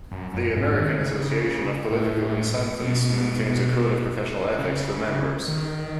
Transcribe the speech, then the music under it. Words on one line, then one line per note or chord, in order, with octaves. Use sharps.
The American Association of Political Consultants maintains a Code of Professional Ethics for members.
F#2
F#2
G#2
D#3
C#3
A2
B2
C#3
D#3